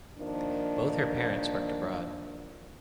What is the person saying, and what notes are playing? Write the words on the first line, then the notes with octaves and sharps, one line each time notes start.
Both her parents worked abroad.
D#3 F3 A#3 D4